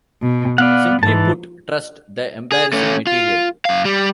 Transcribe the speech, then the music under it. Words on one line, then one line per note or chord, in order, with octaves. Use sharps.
Simply put, trust the embarrassing material.
B2
B3 D5 F5 F#5
G#2 E3 A5
G#4
A3 C#4
F4
F#2 F5
G3